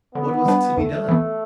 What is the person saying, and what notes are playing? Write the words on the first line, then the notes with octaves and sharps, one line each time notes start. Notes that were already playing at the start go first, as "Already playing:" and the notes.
What was to be done?
D3 B3
G3 D4 B4
E2 A3
E3 B3